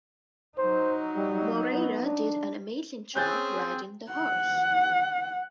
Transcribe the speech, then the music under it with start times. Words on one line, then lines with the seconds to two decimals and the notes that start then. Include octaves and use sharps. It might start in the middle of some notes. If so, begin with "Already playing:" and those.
Moreira did an amazing job riding the horse.
0.58 F#3 D#4 C5
1.16 G3
1.72 B3
2.06 D4
3.15 C4 C#4 G#4 F#6 G6 A6
4.12 F#5